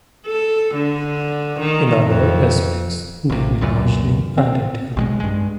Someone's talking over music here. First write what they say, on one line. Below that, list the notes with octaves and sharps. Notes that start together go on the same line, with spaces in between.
In other respects they were largely identical.
A4
D3
D#3
F2
A#1 C3
C#2 F#2 A#2
C4
B1 G3 G#3
G2 G#3